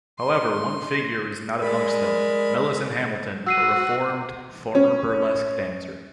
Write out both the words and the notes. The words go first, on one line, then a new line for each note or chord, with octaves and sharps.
However, one figure is not amongst them- Millicent Hamilton, a reformed former burlesque dancer.
C6
G#3 A#4 D5 B5
F#4 E6 C7 D#7
C#4